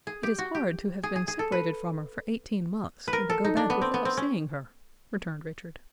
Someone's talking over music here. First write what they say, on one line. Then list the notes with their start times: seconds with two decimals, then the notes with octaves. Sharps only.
"It is hard to have been separated from her for eighteen months, and to go back without seeing her," returned Richard.
0.07 G#4
0.23 G4
0.39 F#4
0.55 G4
1.03 G#4
1.16 G#4
1.28 G#4
1.39 A4
1.52 B4
3.08 B4
3.13 A#4
3.30 A4
3.44 D#4
3.57 D4
3.70 B3
3.82 C4
3.94 B3
4.05 C4
4.17 C#4